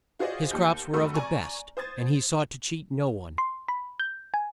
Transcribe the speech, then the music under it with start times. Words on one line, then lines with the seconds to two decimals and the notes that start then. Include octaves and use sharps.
His crops were of the best, and he sought to cheat no one.
0.19 F4 F#4 G#4 C5 D5 D#5
0.51 D#2 G4 G6
0.93 F1 A3 F#4 B5 E6
1.14 D5 G#5 A#5 C#6
1.77 C5 D#6 G#6 A6
3.38 C6
3.68 B5
4.00 G6
4.34 G#5